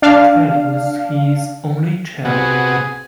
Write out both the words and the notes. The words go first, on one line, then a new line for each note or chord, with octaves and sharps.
Kelly was his only child.
D4 F5
C3 B3 F#4 G#4